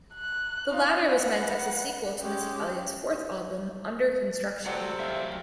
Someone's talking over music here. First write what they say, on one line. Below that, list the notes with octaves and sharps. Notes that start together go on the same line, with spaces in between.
The latter was meant as a sequel to Missy Elliott's fourth album "Under Construction".
F#6
D#4 F4
B4 F#5
G#3 C#4 G4
C3 C4 F#4 A4 D5 F#5
F#3 E5 F5